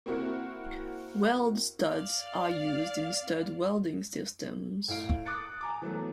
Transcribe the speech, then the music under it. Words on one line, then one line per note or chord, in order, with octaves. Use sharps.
"Weld studs" are used in stud welding systems.
A#3 C4 E4 F#4 A#4
D5 F5
A2 E4 F5 D7
D6 D#6 F#6 A6 C#7 D7
G#5 A#5 D6
E3 F#3 A3 B3